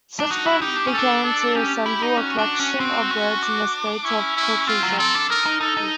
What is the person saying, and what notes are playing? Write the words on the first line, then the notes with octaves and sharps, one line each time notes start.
Severtzov began to assemble a collection of birds in the estate of Petrovskoe.
D4
D#4 F#4
E4
D#4 G4
D4
C#4
A4
D4
A4
C#4 G4
E4
D#4
C#4 F#4
D4
C#4
C4
C#4
D4
C#4 E4
E4
C4 F4
F#3
C4 A4
D4
D#4 A#4
D#4
D#4 A4
D#4